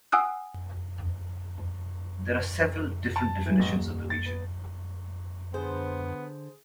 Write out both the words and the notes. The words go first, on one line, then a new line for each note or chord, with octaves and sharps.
There are several different definitions of the region.
F#5 G#5 D#6 E6 F#6
A5
E3
A1
D#1
A6
B3
D3 B3 G#4 C5